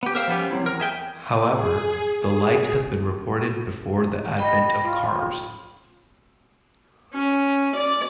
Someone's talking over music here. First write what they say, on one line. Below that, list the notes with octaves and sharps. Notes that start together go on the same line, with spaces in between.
However, the light has been reported before the advent of cars.
B3 G4
A#4 C5 E5 F5 G5
F3 G3 A#3 B3 C#4 G4
F#3 C4 E4
E2 A#4
G#4 E5 G5
G#4
G#4
D#5 G5 B5
F4
C#4
D5